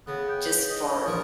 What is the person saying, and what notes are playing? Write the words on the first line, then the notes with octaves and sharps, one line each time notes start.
just for
C#3 B3
G5
D#5
A#1 F3 A#4 C#6